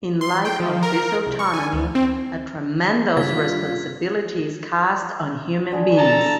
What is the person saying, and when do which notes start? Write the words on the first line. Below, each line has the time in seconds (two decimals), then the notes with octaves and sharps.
In light of this autonomy, a tremendous responsibility is cast on Human beings.
0.21 C6
0.45 G5
0.60 F3
0.83 A#4
1.26 C2
1.39 C#6
1.54 G#5
1.73 D2
1.95 C4
3.17 G2 C#3 F4 G#6 B6
5.72 D3 G#4
5.98 A4 A5 A#5